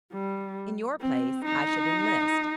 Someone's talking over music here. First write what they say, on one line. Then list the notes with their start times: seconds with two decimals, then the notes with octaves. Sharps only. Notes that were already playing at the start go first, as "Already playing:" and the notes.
In your place, I should enlist.
0.12 G3
1.01 C4
1.45 D#4